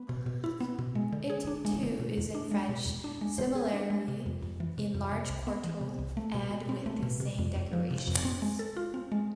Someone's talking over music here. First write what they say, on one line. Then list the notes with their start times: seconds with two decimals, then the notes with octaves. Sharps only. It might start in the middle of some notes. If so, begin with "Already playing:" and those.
It, too, is in French, similarly in large quarto and with the same decorations.
Already playing: B3
0.09 B2
0.26 B2
0.44 E4
0.60 B3
0.79 B2
0.95 G#3
1.13 D3
1.30 G#4
1.47 D4
1.65 G#3
1.83 D3
2.00 B2
2.18 E2
2.35 D4
2.51 G#3
2.69 B2
2.86 E2
3.04 D4
3.21 G#3
3.38 C5
3.55 G#4
3.73 D4
3.90 G#3
4.08 C3
4.26 F2
4.43 F2
4.60 E3
4.78 C3
4.95 F2
5.12 C3
5.30 C2
5.47 B3
5.64 E3
5.81 C3
5.99 C2
6.17 A3
6.34 B2
6.51 B2
6.69 C4
6.86 A3
7.03 B2
7.20 C3
7.39 F2
7.56 F2
7.73 F3
7.91 C3
8.07 F2
8.25 C4
8.42 G#3
8.59 A4
8.77 F4
8.94 C4
9.12 G#3